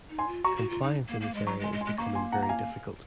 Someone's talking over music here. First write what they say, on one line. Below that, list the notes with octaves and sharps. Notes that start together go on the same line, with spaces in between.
Compliance in this area is becoming very difficult.
D#4
G#5 C6
F4
F#4 A#5 C#6
F#4
F4
D#4
A#3
A#3
G#3
F#3 A#5 C#6
G#3
G#5 C6
G#3
G#5 C6
G#3
A#3 A#5 C#6
G#5 C6
F#5 A#5
A#5
F5 G#5